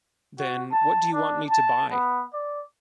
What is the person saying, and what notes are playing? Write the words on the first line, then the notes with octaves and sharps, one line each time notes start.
Then, what do you want me to buy?
F#4
A5
D4
A5
B3
D5